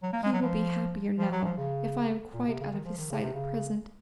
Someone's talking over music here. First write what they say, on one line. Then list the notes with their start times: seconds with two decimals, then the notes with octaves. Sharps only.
He will be happier now if I am quite out of his sight at present.
0.03 F#3
0.13 A#3
0.23 G#3
0.33 F#3
0.42 F3
1.18 F3
1.32 F#3
1.44 F3
1.57 C#3
2.34 A#2
2.47 C3
2.60 C#3
2.73 D#3
2.85 F3
2.97 D#3
3.10 C#3
3.22 C3
3.34 C#3